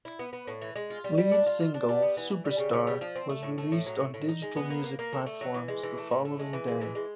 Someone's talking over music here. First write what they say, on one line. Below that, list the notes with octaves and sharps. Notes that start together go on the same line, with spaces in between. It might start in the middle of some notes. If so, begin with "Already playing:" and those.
Lead single "Superstar" was released on digital music platforms the following day.
E4
B3
B3
A2
E3
G#3
F4
G3
G3
D4
F4
F4
D4
G3
B3
E3
E3
G3
C#3
C#3
G3
F3
C4
A3
A2
A3
A2
F#3
A2
A2
D#4
G#3
B3
A#3
A#3
A#3
A3
A3
F#3
E3
G#3
E3
A3
A2
A3
G#3
E3
G#3
E3
G#3